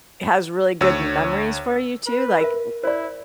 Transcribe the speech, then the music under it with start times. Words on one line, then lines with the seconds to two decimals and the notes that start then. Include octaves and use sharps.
has really good memories for you too, like,
0.81 D2 C#5 E6
2.07 B4
2.41 A#4 E5
2.84 E4 C5 D5